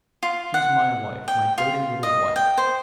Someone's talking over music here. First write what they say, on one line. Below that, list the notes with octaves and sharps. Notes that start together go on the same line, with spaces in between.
She's my wife, my doting little wife.
F4
F#5
G5
F4
D#5
G5
C5